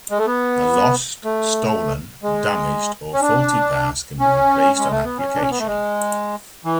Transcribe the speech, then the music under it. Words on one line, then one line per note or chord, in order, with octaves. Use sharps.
A lost, stolen, damaged, or faulty pass can be replaced on application.
G#3
A3
B3
A3
G#3
C#4
D4
C#4
G#3
A3
B3
C#4
D4
C#4
B3
A3
G#3
E3